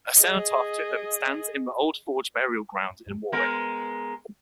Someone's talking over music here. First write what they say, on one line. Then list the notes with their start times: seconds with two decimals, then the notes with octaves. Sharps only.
A cenotaph to him stands in the Old Forge Burial Ground in Warwick.
0.17 G#4 D#5
3.32 G#3 B3 A#4